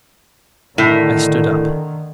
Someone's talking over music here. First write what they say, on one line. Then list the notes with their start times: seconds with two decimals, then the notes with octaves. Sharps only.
I stood up.
0.78 A2 D3 D#3